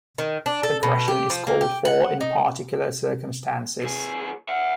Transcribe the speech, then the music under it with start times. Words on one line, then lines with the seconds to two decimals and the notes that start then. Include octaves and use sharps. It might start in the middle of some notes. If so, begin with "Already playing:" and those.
Aggression is called for in particular circumstances.
0.18 D#3
0.46 D4
0.63 A4
0.83 B2
1.08 G4
1.30 F3
1.47 A#3
1.61 G4
1.85 F#5
2.21 D#4
3.81 D#2 G#4
4.49 E5 F#5